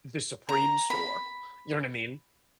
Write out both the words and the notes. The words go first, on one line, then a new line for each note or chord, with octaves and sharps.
the Supreme store, you know what I mean?
A#5
B5